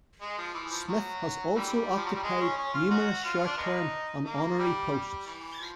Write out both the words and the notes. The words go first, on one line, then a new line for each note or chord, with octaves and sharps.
Smith has also occupied numerous short-term and honorary posts.
G#3
F3
E3
F3
F#3
D3 E3 G3
F3
F#3
G3
G#3
C#4
C#4
F4
C#4 D#4 F#4
F4
D4
G#3 B3 D#4
A#3
G3
G3
E3
F3